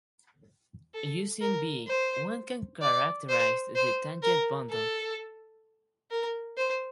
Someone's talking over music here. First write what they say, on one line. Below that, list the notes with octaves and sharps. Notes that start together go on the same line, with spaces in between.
Using "V" one can characterize the tangent bundle.
A4
A#4
C5
D5
C5
C5
A#4
A4
A#4
C5